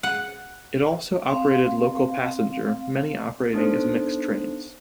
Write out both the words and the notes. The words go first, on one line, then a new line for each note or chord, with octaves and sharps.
It also operated local passenger, many operating as mixed trains.
F#5
C4 F5
B3 D4 D#4 A4 C5